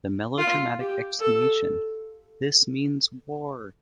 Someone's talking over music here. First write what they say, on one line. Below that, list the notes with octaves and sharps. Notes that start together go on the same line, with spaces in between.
The melodramatic exclamation This means war!
F4
G4
A4